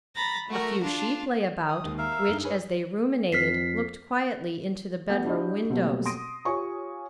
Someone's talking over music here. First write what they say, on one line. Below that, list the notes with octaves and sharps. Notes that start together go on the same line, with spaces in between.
A few sheep lay about, which, as they ruminated, looked quietly into the bedroom windows.
A#5 B5 A6 A#6
A3 F#4 A#4
D4 F4 A5
D#6
D#2 D#3 G#3
A#4 E5 F5
E6
G2 D#4 G7
G#4 B4 C#5
F2 F6 B6 C7
A3 B3 G4 F#5 G6
D4 E4 F#4 G4 D5 D#5
B2 F#3 G3 A3 A#3 C4
C6 D#6 A#6 D7 D#7
F4 G4 C#5 F5 G#5 C#6